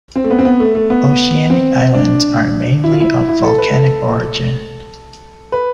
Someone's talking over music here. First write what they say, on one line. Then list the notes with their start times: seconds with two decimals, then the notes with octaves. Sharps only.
Oceanic islands are mainly of volcanic origin.
0.16 C4
0.24 A3
0.31 B3
0.39 C4
0.45 B3
0.60 A3
0.75 A3
0.90 B3
1.50 C4
1.94 D4
2.84 E4
2.92 F4
3.00 E4
3.29 E4
3.44 A4
3.58 B4
3.73 A4
5.52 B4